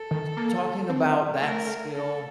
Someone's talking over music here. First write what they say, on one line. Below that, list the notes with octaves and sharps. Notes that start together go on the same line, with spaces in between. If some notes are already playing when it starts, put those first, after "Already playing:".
t talking about that skill,
Already playing: A4
D#3
A#3
C4
A3 A#4
A4